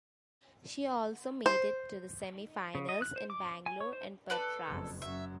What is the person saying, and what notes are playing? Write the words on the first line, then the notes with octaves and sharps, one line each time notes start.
She also made it to the semifinals in Bangalore and Patras.
C5
C#3
D#5
F#6
C5
D6
G#5
C#5
C5
A4 B4 D5
F#1 F2
F#2 E5